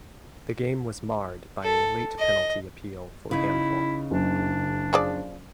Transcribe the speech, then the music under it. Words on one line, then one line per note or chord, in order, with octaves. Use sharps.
The game was marred by a late penalty appeal for handball.
A4
D#5
C#3 D#4 E4
F#1 D4
F3 G#4 D5